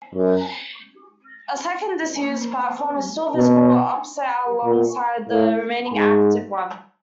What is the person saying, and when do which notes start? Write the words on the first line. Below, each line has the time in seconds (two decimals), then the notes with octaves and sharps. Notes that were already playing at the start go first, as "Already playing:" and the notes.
A second disused platform is still visible opposite alongside the remaining active one.
0.15 F#2
3.36 B2
4.65 A#2
5.30 A2
5.94 G#2